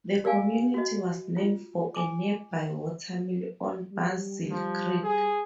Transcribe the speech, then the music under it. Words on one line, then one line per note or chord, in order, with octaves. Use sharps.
The community was named for a nearby watermill on Bazile Creek.
G4 A#4 D5 F5 G#5
F#4 D#5
F4
G#5 D6
G3
F3
G#4